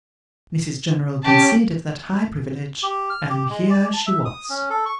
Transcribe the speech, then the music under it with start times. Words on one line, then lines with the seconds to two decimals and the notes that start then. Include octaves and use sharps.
Mrs General conceded that high privilege, and here she was.
1.22 C#4 G4 A5
2.83 G4
3.10 F6
3.30 G4
3.49 G#3
3.70 D5
3.94 A5
4.07 E5
4.25 D#6
4.50 C#4
4.70 A4
4.86 C#6